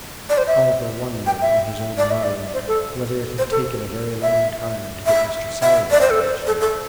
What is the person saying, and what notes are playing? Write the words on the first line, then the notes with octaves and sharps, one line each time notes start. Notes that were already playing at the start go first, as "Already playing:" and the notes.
Oliver wondered, in his own mind, whether it had taken a very long time to get Mr. Sowerberry used to it.
D5
C5
E5
G5
E5
D5
E5
D5
C5
A4
C5
A4
E5
E5
E5
D5
C5
A4
C5
A4
A4